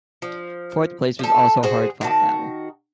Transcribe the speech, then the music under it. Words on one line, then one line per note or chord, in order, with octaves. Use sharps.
Fourth place was also a hard fought battle.
F3
F3 A4
F#4 G#4 C5
D#3 F#4 A5